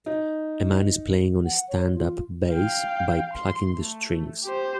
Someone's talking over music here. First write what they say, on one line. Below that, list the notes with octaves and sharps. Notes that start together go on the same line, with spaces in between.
A man is playing on a stand up bass by plucking the strings.
D#4
F#5
C#5
F4
F5 G5
C6
A3
G4 C5